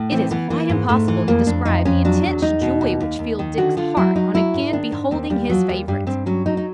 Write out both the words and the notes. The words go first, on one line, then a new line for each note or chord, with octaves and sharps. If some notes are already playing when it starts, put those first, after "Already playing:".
It is quite impossible to describe the intense joy which filled Dick's heart on again beholding his favourite.
Already playing: A2
E3 C4
E3 B3
E3 A#3
G#2
G#2 A3
E3
F2 A#3
F2 D4
F2 D#4
F2 C#4
F#3 D4
E2
E2 D#4
B2
D#2
D#2
D#2
D#3
D3 F#4
D3 F4
F#3 E4
F#3 D#4
F#3 E4
G#2
D#3 D4
G#2
D#2 C4
D#2 G3
F3 F#3
D#2 G3
G2 G3
G2 C4
F#3 C#4
F#3 D#4
D#4